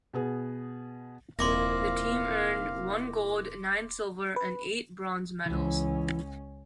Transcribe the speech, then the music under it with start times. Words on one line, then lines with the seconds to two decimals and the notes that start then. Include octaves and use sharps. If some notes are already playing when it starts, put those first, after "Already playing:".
The team earned one gold, nine silver and eight bronze medals.
0.13 B2 B3 G#4
1.39 D#1 C2 F2 A#2 F5 C6 D6 A#6
4.36 B4
5.46 C#2 E3 C#4